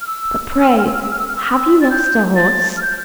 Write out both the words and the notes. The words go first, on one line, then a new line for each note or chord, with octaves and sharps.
But, pray, have you lost a horse?
F6
E6
E6
F6
E6
F6
E6
F6
E6
F6
E6
F6
E6
F6
E6
A6
G6
A6
F6
G6